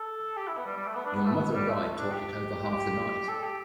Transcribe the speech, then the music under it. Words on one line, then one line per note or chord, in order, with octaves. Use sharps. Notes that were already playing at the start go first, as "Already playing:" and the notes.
Your mother and I talked it over half the night.
Already playing: A4
G4
E4
B3
G3
G3
A3
B3
D4
B3
A3
B3
G3
A3
D4
G4
G4
A4
G4